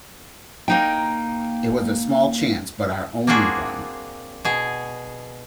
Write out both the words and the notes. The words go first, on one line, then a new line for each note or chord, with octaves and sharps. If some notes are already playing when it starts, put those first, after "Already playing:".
It was a small chance but our only one.
A#3 D#4 G5
A#3 C4 D4 F4 F#4 G#4
B2 G#4